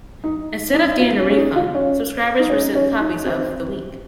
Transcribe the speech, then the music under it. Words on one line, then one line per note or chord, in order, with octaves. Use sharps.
Instead of getting a refund, subscribers were sent copies of "The Week".
D#4
D#4
F4
C#4
C#4
D#4
F4
C#4
D#4
C#4
C#4
D#4
C4